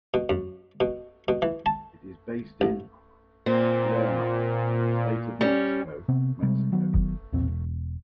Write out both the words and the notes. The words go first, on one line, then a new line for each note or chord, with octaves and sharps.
It is based in Lerma, State of Mexico, Mexico.
B2
F#2
B2
B2
E3
A5
A1
A#2 C4
G3 C#4
C3 B3 C4
C3 G3 G#3
D#3 F#3 B3
B1 E2 A#2 C4
E1